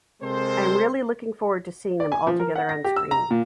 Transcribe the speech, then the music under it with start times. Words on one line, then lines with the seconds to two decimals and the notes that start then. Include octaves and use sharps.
I am really looking forward to seeing them all together on screen.
0.22 C3 G#3 C4 A4 A#4 C5
2.00 D5
2.12 G#5
2.27 F3
2.39 A#4
2.56 F#5
2.69 A#6
2.84 G4
2.96 E6
3.11 A#5
3.31 A#2